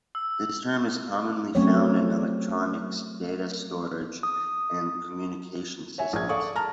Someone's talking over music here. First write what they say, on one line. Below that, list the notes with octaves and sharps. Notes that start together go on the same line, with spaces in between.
This term is commonly found in electronics, data storage, and communications systems.
E6
F#3 A3 C4 C#4 C#5
D#6
C#5 E5 G#5
A#1 G#6
A4 D5 F5 C#6 D#6
A5 A#5 F6